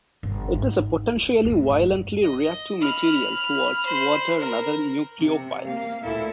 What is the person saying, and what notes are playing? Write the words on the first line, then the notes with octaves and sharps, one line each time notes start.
It is a potentially violently reactive material towards water and other nucleophiles.
G1
G#2
F4
E2 A2
G1
D#5
B5 F6
C5 B5
A#4
C3
A#3 F5
D2 A#2 E4 A4 E5